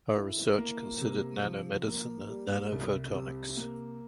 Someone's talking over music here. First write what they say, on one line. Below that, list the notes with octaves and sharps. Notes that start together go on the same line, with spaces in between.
Her research considered nanomedicine and nanophotonics.
E4
A#3
C3
F3
A#3
G3
C2
C3
A#3